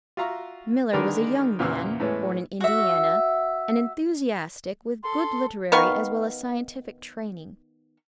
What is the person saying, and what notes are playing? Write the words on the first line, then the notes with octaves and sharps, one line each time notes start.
Miller was a young man, born in Indiana, an enthusiastic with good literary as well as scientific training.
F4 F#4 E5 F5 A#5 C#6
D3 D#3 G#3 D4 A#4 B4
E2 A#2 C#3 C4 E6 F6
A2 E3 G#3 A3 B3 C#4
F#4 E5
A4 C6
D#3 B3 F5 C#6